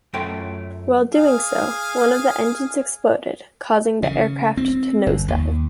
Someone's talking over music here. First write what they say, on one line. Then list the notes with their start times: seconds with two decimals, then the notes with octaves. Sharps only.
While doing so, one of the engines exploded, causing the aircraft to nosedive.
0.14 F#2 A3 F4 C#5 G5 C6
1.14 G#4 F5
4.03 C#3
4.57 C4
5.07 G1
5.28 D#2